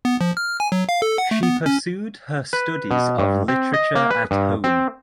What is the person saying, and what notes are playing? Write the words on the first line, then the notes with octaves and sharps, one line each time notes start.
She pursued her studies of literature at home.
B3
F3
F6
G#5
F#3
F5
A4
F#5
A3
B3
C#4
B4
B2
G2
C4
D#5
A#3
B4
G2
C4